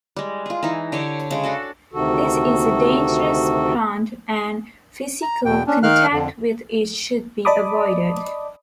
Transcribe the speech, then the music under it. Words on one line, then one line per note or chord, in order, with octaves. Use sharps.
This is a dangerous plant and physical contact with it should be avoided.
G3 G#3
F4 G#4
E3 D#4
D3 G4 C#5
C#3 G#3
D4 F#4 A4
D2 C3 D#3 F#4 A4
A#5
E2 B2 G5
C#4 D4
D#3 D#4 A#4 F5 F6 F#6
F2 D3
D5 D#5 A5 B5 D6 D#6